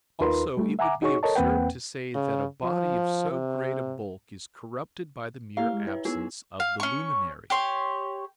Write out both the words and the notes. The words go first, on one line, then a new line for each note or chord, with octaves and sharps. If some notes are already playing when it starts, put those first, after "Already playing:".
Also it would be absurd to say that a body of so great a bulk is corrupted by the mere absence of the luminary.
D#2 D#4 F4 A#4 B4 C6
G3 A3
E5 F#5 G#5 A#5 D6
D#4 F#4 G#4 C#5 C#6
A4 A#4 C#5 D#5 A5
E2 A#3 C4 B4 F#5 G5
C#3
F3
C3
A#3 E4 G4 F5 A#5
G#3
E4 B4 C#5
B3 D#4 E4 G#4 E6
F5
C#4 C#6
G4 C#5 C6